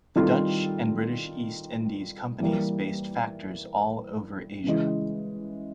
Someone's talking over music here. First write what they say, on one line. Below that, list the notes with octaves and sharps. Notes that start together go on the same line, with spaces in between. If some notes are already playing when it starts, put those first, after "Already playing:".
The Dutch and British East Indies companies based factors all over Asia.
D#3 G3 C4 F4 A4
E3 G3 A#3
C#3 E3 G#3